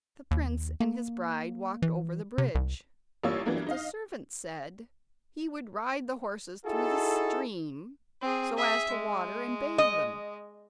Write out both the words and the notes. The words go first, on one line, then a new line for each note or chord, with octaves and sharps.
The prince and his bride walked over the bridge, but the servant said he would ride the horses through the stream so as to water and bathe them.
D#2
A#3
E3
C3
C2
A1 G3 A#3 F4 C#5 E6
E3 F#3 G3 A#3 B3 D4
D#4 D#5 F5
D#4 E4 F#4 G#4 A4
C4 G#4
G#4 E5
G#3
D#5